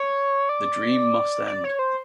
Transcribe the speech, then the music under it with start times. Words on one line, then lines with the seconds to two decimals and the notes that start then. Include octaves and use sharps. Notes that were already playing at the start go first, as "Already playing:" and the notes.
The dream must end.
Already playing: C#5
0.49 D5
1.47 D5
1.64 C#5
1.79 C5